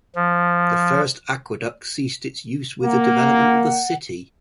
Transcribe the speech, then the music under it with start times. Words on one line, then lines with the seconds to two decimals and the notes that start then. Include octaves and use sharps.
This first aqueduct ceased its use with the development of the city.
0.15 F3
2.84 A#3 F#5